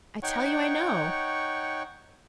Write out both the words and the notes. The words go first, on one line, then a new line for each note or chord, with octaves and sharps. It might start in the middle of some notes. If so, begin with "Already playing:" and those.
"I tell you I know."
D#4 C#5 F#5 G5 C#6